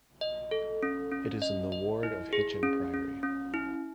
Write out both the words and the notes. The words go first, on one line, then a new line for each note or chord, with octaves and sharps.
It is in the ward of Hitchin Priory.
D#5
A4
C#4
C#4
D#5
D#5
E4
G#4
C#4
C#4
C#4
E4